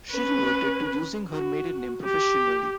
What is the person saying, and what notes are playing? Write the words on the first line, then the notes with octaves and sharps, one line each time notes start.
She reverted to using her maiden name professionally.
C#4 B4
F#4
G4